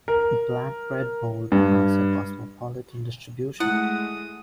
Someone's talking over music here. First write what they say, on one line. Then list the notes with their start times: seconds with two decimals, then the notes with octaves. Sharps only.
Black bread mold has a cosmopolitan distribution.
0.08 A#4
1.52 G2
3.60 G#3 A3 E4 F#5 D#6